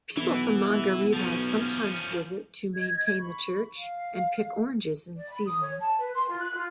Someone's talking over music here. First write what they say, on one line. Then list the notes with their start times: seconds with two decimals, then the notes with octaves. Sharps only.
People from Mangareva sometimes visit to maintain the church and pick oranges in season.
0.17 B1 E3 B3
1.13 F3 C#4
2.75 D#5 G#6
3.18 B5 C#6
3.76 F5
5.16 D5
5.29 B5
5.46 D#6
5.60 C#5
5.80 A5
5.99 B4
6.15 C6
6.28 F4
6.40 F#6
6.55 F4